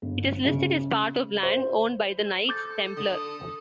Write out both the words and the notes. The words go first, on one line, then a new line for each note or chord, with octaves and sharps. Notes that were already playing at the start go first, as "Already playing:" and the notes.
It is listed as part of land owned by the Knights Templar.
G1
C#3
C5
A4 D6 G6 A6
D3 D#6